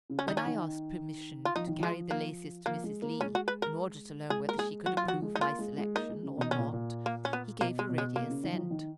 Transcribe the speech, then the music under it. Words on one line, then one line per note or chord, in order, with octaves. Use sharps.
When I asked permission to carry the laces to Mrs. Lee, in order to learn whether she could approve my selection or not, he gave a ready assent.
C#3
C#4
D#3 D#4
C#4
D#3
F4
F3 D#4
D#3
F3 G#3
A#3
F3 A#3
G#3
A#3
G#3 C#4
F#4
B4
A#4
G#3 G#4
A#3 A#4
G#3 G#4
F#3 F#4
F4
F3 F#4
G#3
D#4
A#3 F4
G#3
G#3
A#3 D#4
G#3
C#3
B2 D#4
B2 C#4
A#2
A#2
A#3
C#4
B3
B2 A#3
G#3
B2
G#3
B2 A#3
C#3
D#3
F#3
F3
D#3